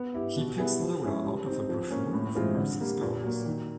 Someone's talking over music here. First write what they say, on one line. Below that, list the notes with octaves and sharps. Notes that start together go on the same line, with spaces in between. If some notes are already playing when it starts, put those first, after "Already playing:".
He picks Lola out of a brochure of Mercy's girls.
Already playing: B3
E4 G4
B2
G3 B3 E4 G#4
F3
G#3 C#4 E4 G#4
G3
C4 D#4
F3
A#3 C#4
A2
E3 G#3 C4 F4
D3
G3 A#3
A#2
F#3 A#3
D#3